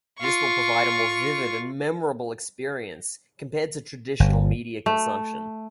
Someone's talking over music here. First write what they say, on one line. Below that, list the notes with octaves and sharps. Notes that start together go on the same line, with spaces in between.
This will provide a more vivid and memorable experience compared to traditional media consumption.
F4 C#6
G1
A3